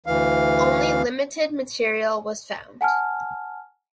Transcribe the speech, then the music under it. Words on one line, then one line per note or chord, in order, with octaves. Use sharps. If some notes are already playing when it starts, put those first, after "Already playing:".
Only limited material was found.
D2 E3 F5
F#5 G#5 A5 F6